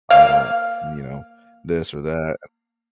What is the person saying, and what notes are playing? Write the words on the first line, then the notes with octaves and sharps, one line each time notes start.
I don't you know, this or that."
A#3 F5